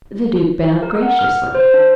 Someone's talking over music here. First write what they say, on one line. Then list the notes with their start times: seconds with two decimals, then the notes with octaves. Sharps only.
The Duke bowed graciously.
0.82 A#4
1.02 F#5
1.19 F6
1.55 C5
1.74 D4